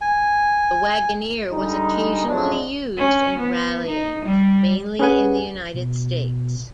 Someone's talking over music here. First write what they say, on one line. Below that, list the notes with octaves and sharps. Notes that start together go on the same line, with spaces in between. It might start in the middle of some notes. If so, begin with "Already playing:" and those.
The Wagoneer was occasionally used in rallying, mainly in the United States.
G#5
D3 G3 G#3 D#4
F2 A2 F#3 G#3 D4
C#4
B3
D#4
G3
C#4 G#4 B4 F#5 G#5
B2